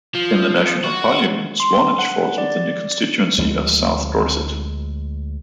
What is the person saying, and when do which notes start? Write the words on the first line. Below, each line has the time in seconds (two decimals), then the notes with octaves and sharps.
In the National Parliament, Swanage falls within the constituency of South Dorset.
0.14 F3
0.84 F#4
1.60 C6
1.99 F#5
2.38 D5
3.38 D2 F3 G#3